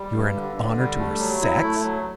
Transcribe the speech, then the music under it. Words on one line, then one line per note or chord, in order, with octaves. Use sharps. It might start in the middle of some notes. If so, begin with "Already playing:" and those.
You are an honour to our sex!'
Already playing: G3
G2
D3
D3
G3
A3
F#3
E4
A3
F#3